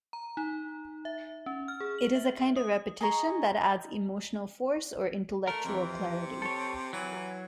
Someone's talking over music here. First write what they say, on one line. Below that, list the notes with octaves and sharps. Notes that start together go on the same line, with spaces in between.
It is a kind of repetition that adds emotional force or intellectual clarity.
A#5
D#4
E5
C#4
F6
G#4
F#7
E5
D#6
G#4 D#5 A#5 C#6
A3 A#4
F2 C3 E3
A4 C#5
E3 F#3